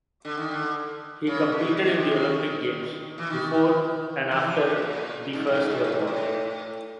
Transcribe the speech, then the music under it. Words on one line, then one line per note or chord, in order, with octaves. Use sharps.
He competed in the Olympic Games before and after the First World War.
D3
D#3
D3
C#3
B2
B2
C3
D#3
E3
D#3
E3
F3
C3
B2
A#2
G#2
A2
G#2
A#2
A2
G#2
A2